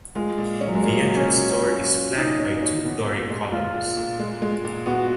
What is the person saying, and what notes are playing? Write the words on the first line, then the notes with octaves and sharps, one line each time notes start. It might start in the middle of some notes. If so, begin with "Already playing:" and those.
The entrance door is flanked by two Doric columns.
G#3 F4
A#2
C#4
F#3
G#3
A#2 A#3
F#3
C#4
F#3
F#3 C#4
F#3
F4
A#2 D#4
C#4
C#4
B3
A#2
G#3
G#3 F4
A#2
A#2
G#3
G#3
A#2
B3 F#4